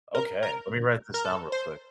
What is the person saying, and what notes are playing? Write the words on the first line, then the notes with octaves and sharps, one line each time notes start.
Okay, let me write this down real quick.
A#4
A#4
A#4
A4
C5